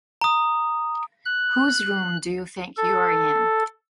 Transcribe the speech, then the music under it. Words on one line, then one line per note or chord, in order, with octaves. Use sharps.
Whose room do you think you’re in?
A#5 D#6
F#6
A4